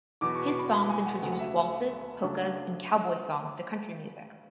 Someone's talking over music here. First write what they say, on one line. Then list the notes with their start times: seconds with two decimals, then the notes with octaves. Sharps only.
His songs introduced waltzes, polkas, and cowboy songs to country music.
0.21 E2 B2 F#3 B3 D6
0.35 C#6
0.47 C#6
0.59 B5
0.73 B5
0.89 G#5
1.06 F#5
1.22 D2 C#3 F#3 A3 F#5
1.32 F#5
1.39 E5
1.57 E5
2.23 C#3 F#3 A3 D4